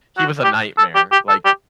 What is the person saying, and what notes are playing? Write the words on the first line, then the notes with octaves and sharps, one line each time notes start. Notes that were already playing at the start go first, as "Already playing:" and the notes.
he was a nightmare, like,
F#4
G4
A4
G4
G4
A4
G4